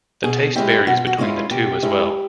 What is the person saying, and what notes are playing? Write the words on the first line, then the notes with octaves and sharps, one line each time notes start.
The taste varies between the two as well.
B2 G#4
G#3 C#4 E4 G4
B2 F#4
F4
F#4
G#3 C#4 E4 F4
B2 G4
G#3 C#4 E4